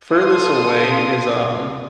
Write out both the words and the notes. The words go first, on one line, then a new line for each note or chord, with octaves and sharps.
furthest away is, um,
A4 F5 C6 D#6